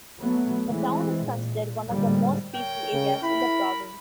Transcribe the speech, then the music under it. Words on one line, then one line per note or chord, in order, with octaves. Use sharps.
The town is considered one of the most peaceful areas in the province.
F#3 A3 B3
E3 G#3 C4
A#2
A2 D3 F3 G3 G#3 A#3
A#4 C#5 G5
C#3
E4 A#4 B5